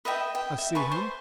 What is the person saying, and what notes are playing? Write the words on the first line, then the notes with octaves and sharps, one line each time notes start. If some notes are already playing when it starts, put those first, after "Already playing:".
I see him!'
B4 D#5 E5 G5
G5
E5
B4 G#5 A5 C#6
C5